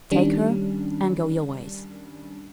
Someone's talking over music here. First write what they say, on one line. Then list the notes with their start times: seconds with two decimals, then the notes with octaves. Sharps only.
"Take her and go your ways."
0.11 D#3 G3 C#4 D4